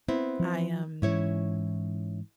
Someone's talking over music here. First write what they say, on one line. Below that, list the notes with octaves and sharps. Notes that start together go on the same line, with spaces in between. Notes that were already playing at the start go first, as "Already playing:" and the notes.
I, um
B3 C4 E4
F3
G#2 E3 C#4 E4 C#5